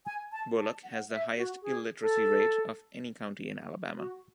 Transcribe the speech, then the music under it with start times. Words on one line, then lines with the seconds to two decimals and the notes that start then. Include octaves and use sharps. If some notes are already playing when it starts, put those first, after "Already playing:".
Bullock has the highest illiteracy rate of any county in Alabama.
0.06 G#5
0.32 A5
0.58 A5
0.84 F#5
1.10 E5
1.37 F#4
1.62 G#4
2.01 A4
3.97 F#4